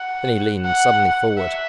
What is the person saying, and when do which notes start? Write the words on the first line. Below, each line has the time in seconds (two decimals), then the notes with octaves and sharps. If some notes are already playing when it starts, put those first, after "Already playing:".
Then he leaned suddenly forward.
Already playing: F#5
0.65 F#5
1.38 E5